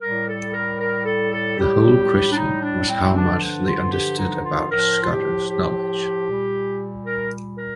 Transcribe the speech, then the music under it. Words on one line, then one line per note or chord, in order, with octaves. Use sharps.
The whole question was how much they understood about Scudder’s knowledge.
A2 G3 A#4
A4
A#4
A#4
A4
A4
A2 G3 G4
D4
D#4
D4
C4
G2 D3 F3 D4
D4
F4
G4
D#4
F4
A2 F3 A#4
F4
G4
G4
A#2 G3
A#4
A#4